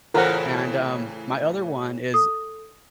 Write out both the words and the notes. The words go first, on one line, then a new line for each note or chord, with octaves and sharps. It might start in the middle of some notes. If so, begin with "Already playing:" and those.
and, um, my other one is
A2 C#3 E3 F4 A4 A#4 C5 F#5
A4 D#6